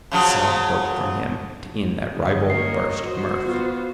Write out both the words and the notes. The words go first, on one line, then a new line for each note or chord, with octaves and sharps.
A sob broke from him to end that ribald burst of mirth.
C#3 F3 F#3
G2 D3 E3 D#5
A#3 C#5 C7
F#4 C5
B3 F4